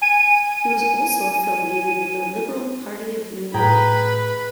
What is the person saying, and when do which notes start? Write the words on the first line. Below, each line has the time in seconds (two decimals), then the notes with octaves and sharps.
He was also affiliated with the Liberal Party of New York.
0.02 G#5 D#7
3.54 A2 G#4 B4 G5 A#5 B5